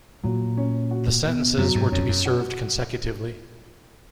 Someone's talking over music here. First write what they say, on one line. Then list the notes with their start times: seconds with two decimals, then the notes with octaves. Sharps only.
The sentences were to be served consecutively.
0.23 A#2 F#3
0.57 C#4
0.91 F#4
1.25 B2
1.58 F#2 F#3
1.75 G#2
1.92 F2 C#4
2.08 F#2
2.26 F#4